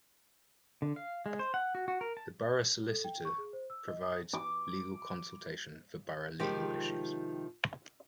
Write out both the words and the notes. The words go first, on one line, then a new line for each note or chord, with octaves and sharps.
The borough solicitor provides legal consultation for borough legal issues.
D3
F5
G#3
C5
F#5
F#4
F#4
A#4
A5
A4
G5
C#6
G#4
C5
E6
D#5
D#6
D6
C3 D#3 F3 G#3 D#4 G4